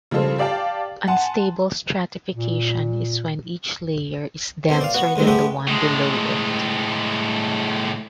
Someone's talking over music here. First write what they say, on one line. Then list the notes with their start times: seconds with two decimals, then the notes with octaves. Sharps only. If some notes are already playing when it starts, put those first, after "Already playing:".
Unstable stratification is when each layer is denser than the one below it.
0.11 C#3 F3 G3 F4 A4 C5
0.38 G4 D5 F5 G5 A5
1.08 F#5 G#5 A5 C6
2.33 A#2
4.69 B1 F#2 C4 C5
4.81 D5 F5
4.94 B3 F#4
5.16 D2 G2 G#3 C4
5.27 G#3 A3 B3 G4
5.67 A2 G#3